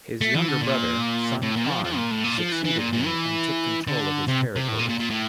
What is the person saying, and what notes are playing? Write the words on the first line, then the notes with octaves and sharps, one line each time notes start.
His younger brother, Sun Quan, succeeded him and took control of his territories.
A3
E3
D3
A#2
A2
A#2
F3
F3
A#2
A2
A#2
F3
E3
E3
A#2
A#2
E3
D3
C3
C3
A2
A#2
A#2
A#2
A2